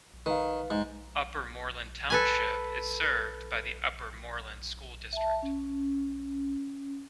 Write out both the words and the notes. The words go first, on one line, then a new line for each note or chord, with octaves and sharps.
Upper Moreland Township is served by the Upper Moreland School District.
D#3 B4 F5
G#2
A4 B4 G#5
E5 A5
C#4